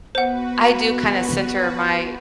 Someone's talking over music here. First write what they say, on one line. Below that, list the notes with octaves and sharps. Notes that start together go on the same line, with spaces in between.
I do kinda center my
B3 F#4 B4 C5 F#5